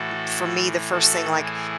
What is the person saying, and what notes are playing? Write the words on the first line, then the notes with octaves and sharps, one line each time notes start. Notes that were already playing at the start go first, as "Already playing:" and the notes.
u m for me the first thing, like,
Already playing: A2 E3 F#4 A4
F#4 A4
E4 G#4